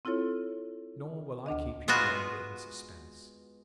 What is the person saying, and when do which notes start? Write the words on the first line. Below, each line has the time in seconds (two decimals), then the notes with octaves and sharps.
Nor will I keep you longer in suspense.
0.05 C4 E4 F4 A4 C#5
1.46 D2 D4 D#5
1.88 G#3 B3 F4 F#4